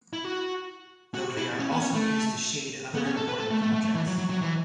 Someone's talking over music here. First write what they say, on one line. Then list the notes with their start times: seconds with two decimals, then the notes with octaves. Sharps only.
Though they are also used to shade other important objects.
0.13 E4
0.25 F#4
1.14 F#4
1.37 E4
1.59 C#4
1.71 B3
1.82 C#4
1.93 A3
2.95 B3
3.05 C#4
3.17 A4
3.28 B4
3.40 A4
3.51 A3
3.62 A3
3.73 A3
3.85 A3
3.95 E3
4.07 F#3
4.18 F#3
4.30 F#3
4.42 E3